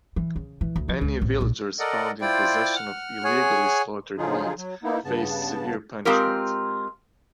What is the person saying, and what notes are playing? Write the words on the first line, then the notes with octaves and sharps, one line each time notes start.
Any villagers found in possession of illegally slaughtered meat faced severe punishment.
E3
C#3
E3
D2
F3
C#2
A1
A#1
A4 A#4 D5 D#5 F#5
E4 F4 C5 D5 G5
F#5 F6
G#4 C#5 F#5 G#5
D3 F3 F#3 D#4 F4 G#4
F#3
A#3 B3 D#4 E4
G2 C#3 B3 A5
G#3 C4 F4 G4 A#4